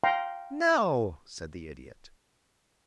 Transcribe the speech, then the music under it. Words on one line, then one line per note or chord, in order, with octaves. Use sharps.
"No," said the Idiot.
F5 G5 A#5 C6